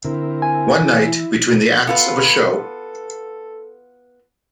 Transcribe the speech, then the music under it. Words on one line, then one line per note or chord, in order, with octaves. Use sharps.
One night between the acts of a show.
D3 C4 E4 A#4
G#5
E3 E4
B3 F4 A4 B4